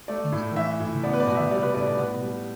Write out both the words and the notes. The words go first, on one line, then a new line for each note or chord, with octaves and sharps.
Instead, Goldsmith revealed the plot.
A3 D5
A2
E3 E5
A2
B3 D5
B4
D5
B2
E5
G3 D5
B4
A2 D5
D5
B3 B4
G3